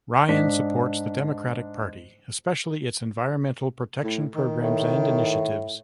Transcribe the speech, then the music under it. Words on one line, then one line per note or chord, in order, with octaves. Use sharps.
Ryan supports the Democratic Party, especially its environmental protection programs and initiatives.
G#2 D4 B6
A2
D#3
A2